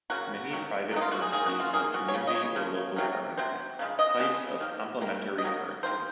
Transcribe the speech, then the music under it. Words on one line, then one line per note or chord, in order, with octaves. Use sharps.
Many private currencies are community or local currencies, types of complementary currency.
C#3 F#3 A#3 F#4
D#3 F#3 A#3
D#3 F#3 A#3 D#4
F4
F#4
G#4
D#3 A#3 G#4
F#4
F4
D#3 A#3 G#4
F#4
C#5
C#3 F3
D#5
C#5
C#3 F3 A#3
C3 F#3 A#3
C3 F#3 C5
C#3 F3 G#3
D#5
C#3 F3 G#3
D#3 A#3
D#3 A#3
D#5
D#3 F#3 A#3
D#3 F#3 A#3 C5